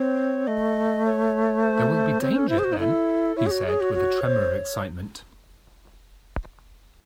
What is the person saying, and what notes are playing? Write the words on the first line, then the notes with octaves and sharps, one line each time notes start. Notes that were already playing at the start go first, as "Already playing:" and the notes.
"There will be danger, then?" he said, with a tremor of excitement.
Already playing: C4 C#5
A3 D#5
C#5
C5
C4 C#5
C5
C#4 A4
E4 C5
G#4
F#4
D#4
E4 A4
E4 C#5
G#4
F#4
G#4
F#4
F#4
C5